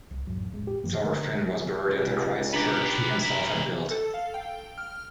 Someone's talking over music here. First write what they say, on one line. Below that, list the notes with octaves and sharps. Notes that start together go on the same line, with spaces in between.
Thorfinn was buried at the Christ Church he himself had built.
C2
A1 F#2 F#3
E1 A1 G#3
G4
G2 E3 F3 A#3
D3 A3 A#4
C#2 G4 B4
B3 D4 G4 A#5
E4 A#4
A4
F5
G5
F6